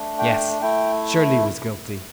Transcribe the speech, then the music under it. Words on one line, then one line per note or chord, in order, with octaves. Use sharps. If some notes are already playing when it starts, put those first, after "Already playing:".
Yes, Shirley was guilty.
Already playing: A3 D4
G5
A3 E4 G5